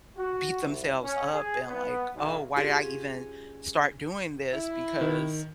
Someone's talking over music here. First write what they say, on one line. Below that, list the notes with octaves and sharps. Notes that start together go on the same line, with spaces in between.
beat themselves up and like, "Oh, why did I even start doing this? Because
F#4
C2
C#4
G#4
B3
B1
C#4 F4 G4 G#4 F#5
E4
D#3